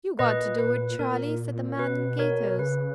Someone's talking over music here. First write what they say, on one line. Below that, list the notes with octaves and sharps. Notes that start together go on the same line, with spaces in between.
"You got to do it, Charlie," said the man in gaiters.
A#2 B4 D#5
B4
A#2 A#4
B2 B4
A#4 C#5
C#3 B4